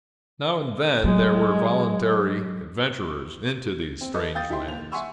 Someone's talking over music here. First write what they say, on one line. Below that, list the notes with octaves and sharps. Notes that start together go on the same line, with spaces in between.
Now and then, there were voluntary adventurers into these strange lands.
F#3 G#3
C4
A4 B4 D#5
F5 G5 D#6 G6 A6
D#4 E4 G4 E5 G5 C6
D#2 F7
E5 F#5 G#5 C6 C#6 E6